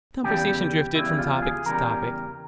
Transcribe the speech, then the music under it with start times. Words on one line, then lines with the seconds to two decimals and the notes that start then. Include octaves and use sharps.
The conversation drifted from topic to topic.
0.24 E2 C#3 G3 G4
0.94 E2 C#3 G3 E4
1.19 F4
1.42 G#4
1.66 E2 C#3 G3 A#4